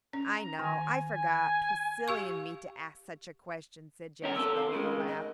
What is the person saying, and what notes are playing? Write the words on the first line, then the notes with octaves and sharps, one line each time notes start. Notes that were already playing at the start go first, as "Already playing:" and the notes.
"I know--I forgot--'twas silly in me to ask such a question," said Jasper, with a laugh.
C#4 A#5
D#3 G#5
G#5
G4 F5 C#6
C2 C#4 A#4
C3 A4 E6
F5
C#3 G#3 A#4
G#2 D#5